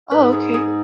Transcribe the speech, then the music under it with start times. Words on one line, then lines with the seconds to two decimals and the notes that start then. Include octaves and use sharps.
Oh, okay.
0.11 G#2 B4
0.33 G#4
0.54 G#4